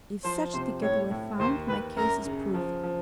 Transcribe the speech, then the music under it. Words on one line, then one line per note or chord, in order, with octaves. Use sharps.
If such a ticket were found my case is proved.
F3 C5
C3 C5
A2 C#5
A2
D#2 C5
D#2 B4
F#2 A#4
C#3
F3
F3